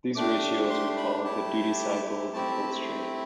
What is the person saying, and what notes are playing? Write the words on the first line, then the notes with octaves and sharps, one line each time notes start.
These ratios are called the "duty cycle" of the pulse train.
A3 D4 G4 D6
C6
B5
A3 E4 G4 A5
A3 C4 E4 G4 A5